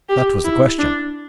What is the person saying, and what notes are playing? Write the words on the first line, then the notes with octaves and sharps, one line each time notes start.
That was the question.
G4
E4
D4